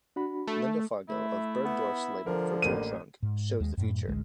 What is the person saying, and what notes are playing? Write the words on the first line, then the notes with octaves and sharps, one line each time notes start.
Linda Fargo of Bergdorf's labeled virtual trunk shows the future.
D4 F#4 B5
A3
A3 E4
B3
D3 F3 A#4
A1 A#3 D#7
G#2
D#2 G#3
F#2 A2
A1 D2 G#3